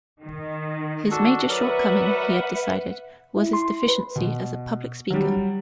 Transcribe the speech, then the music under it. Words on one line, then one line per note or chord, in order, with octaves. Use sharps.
His major shortcoming, he had decided, was his deficiency as a public speaker.
D#3
D4 F#4 A4
F#3 A#4 B4 D5 E5 F#5
E4
C6
B4
B2
F#3 G3